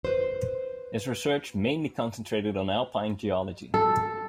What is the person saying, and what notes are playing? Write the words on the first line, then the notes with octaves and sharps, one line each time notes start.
His research mainly concentrated on alpine geology.
B4 C5
A4